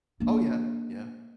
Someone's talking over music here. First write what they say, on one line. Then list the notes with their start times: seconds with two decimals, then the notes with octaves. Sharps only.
Oh, yeah, yeah.
0.20 A#3 D4